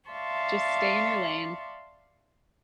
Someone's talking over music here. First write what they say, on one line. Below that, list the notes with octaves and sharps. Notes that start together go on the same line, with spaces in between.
just stay in your lane
D5 E5 F5 A5 C6 C#6